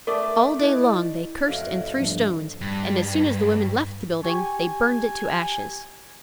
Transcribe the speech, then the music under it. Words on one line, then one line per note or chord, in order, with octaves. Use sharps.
All day long they cursed and threw stones, and as soon as the women left the building, they burned it to ashes.
A3 A#4 D5
E4 D#5
F2 A2 F#4 F5 F6
D2 G#2 F3 G3 B3 D4
G2
G4 G#5 C#6